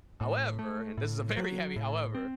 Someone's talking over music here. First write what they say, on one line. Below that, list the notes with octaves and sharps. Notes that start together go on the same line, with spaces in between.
however, and this is a very heavy however,
A2
A3
A2
F#3
A2
C4